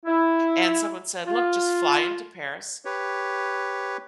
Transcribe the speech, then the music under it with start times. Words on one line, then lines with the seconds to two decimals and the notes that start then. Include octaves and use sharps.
And someone said, "Look, just fly into Paris,
0.06 E4
1.27 F4
2.85 G4 B4 C#5